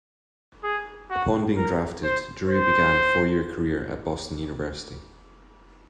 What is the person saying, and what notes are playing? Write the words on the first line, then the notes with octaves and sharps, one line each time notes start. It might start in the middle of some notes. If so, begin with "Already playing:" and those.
Upon being drafted, Drury began a four-year career at Boston University.
G#4
F#4
A#4
C5
C5